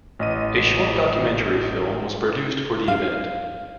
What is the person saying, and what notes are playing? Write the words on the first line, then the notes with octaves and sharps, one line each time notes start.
A short documentary film was produced for the event.
A1 D#5 D#7
F5